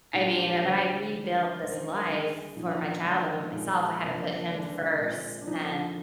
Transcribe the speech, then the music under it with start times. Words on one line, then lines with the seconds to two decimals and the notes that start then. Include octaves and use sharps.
I mean, eh but I rebuilt this life, for my child and myself, I had to put him first, and,
0.13 A#2 G#3 D4 D#4
0.26 F4
0.38 G4
0.50 G#4
0.62 D3 G#3 C4 C5
1.11 D#3 G3 D4
1.59 D#3 G#3 D4 C5
2.07 D3 G3 A#3 D4 A#4
2.24 G#4
2.56 A#2 F3 A#3 D4 D#4
2.67 D4
2.77 D#4
3.04 D3 F3 G#3 D4
3.52 A#2 G#3 C4 D#4
4.01 C3 F3 A#3 D4
4.50 D3 G#3 D4
4.98 A#2 G#3 C4
5.41 D4
5.47 F3 C4 D#4